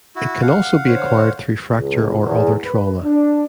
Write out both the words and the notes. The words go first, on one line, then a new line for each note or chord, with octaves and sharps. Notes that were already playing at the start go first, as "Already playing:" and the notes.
It can also be acquired through fracture or other trauma.
E4 F#4
F5 F#5
D3 C5 C#5
C#2
E2
B4
D4